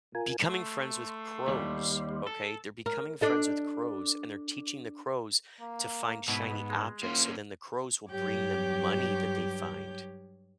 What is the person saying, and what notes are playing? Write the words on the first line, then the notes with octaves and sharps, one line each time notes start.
becoming friends with crows, okay? They're becoming friends with crows, and they're teaching the crows to find shiny objects, so then the crows will bring them money that they find.
F4 A#4 G#5
A3 C6
D#2 G3
A4
A#4
D4 A4 D#5
A#3
G#2 B2 B3 E4 B4
G#3
A#3 C#4 F4
G2 F#3 G4 C#5 D6 G6